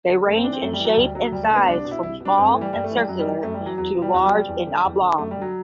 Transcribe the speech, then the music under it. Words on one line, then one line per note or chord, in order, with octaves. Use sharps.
They range in shape and size from small and circular to large and oblong.
D3
F#2 A3
C4
E3 D4
C4
F#2 A3
G3
E3
F#3
D2 G3
D3 F#3
D2 G3
A3
D3
B3
C2 D4
D4
B2
E4
C2 E4
B2 D4
G2 C4
A3
E3
G3
G2 G3
A3
E3
G3
F#2 F#3
G3
E3
G3
F#2 A3
G3
E3
F#3
E2 F#3
B2
G3
E2 F#3
G3
B2
G3
E2
D3
E2
D3
F#2 A3
G3
D3 F#3